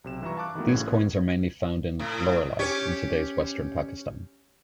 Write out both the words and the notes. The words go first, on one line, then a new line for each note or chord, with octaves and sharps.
These coins are mainly found in Loralai in today's western Pakistan.
B1 C3 E7
G2 E3 E4 F4 A#5 C#6
F5 A5 C#6 D6 F#6
D#3 E3 G3 A3 B3 F#4
A1 A2 C#3 G#6
B3
A2
C#4 G4 C#5